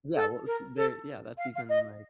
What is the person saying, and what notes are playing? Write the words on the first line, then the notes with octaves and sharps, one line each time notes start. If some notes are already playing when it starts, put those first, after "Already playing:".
Yeah, well, it's there, yeah, that's even like
A4
A#4
A4
F5
F5
D#5